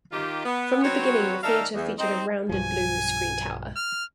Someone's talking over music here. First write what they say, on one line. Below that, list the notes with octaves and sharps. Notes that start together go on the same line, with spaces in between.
From the beginning, the theater featured a rounded blue screentower.
D#3 F4 G4
B3
F#3 C4 F#4 B4 C#5
D#3 A4 A#4 D5 E5 F5
E2
C4 D#4
B1 G2 F3 G#5
F6